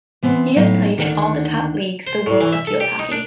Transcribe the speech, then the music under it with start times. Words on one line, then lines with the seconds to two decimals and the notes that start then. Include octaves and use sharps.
He has played in all the top leagues the world of field hockey.
0.23 E3 B3 C4
0.56 A2 F#3 D#4 F5
0.97 D2 D#3 D4 F#5
2.07 C5
2.26 A2
2.41 E3
2.52 E5
2.67 A4
2.80 G4
2.99 D#4
3.12 D4